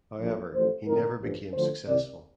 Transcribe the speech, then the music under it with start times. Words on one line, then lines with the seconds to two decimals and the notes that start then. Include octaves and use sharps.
However, he never became successful.
0.20 A#1 A2 F3
0.54 A1 A2 F3 C5
0.87 G1 F2 D#3 A#4
1.20 A1 G2 F3
1.54 D2 D3 F3 C5
1.86 C2 C3 D#3 D5